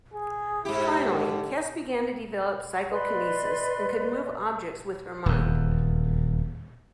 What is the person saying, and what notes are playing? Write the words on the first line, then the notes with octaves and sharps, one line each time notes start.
Finally, Kes began to develop psychokinesis and could move objects with her mind.
G#4
G#2 E4 G4
D3
B4 D5 D#5 C6
D#1 E2